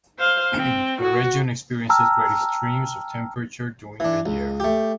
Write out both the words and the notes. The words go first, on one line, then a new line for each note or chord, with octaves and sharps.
The region experiences great extremes of temperature during the year.
C5 F5
C4
F#4
G5 A5 A#5 E6 F6
E3 D4
C#2
A3 G4